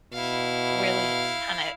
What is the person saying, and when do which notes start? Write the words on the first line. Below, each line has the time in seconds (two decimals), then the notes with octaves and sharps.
Really kinda
0.13 B2 E4 F5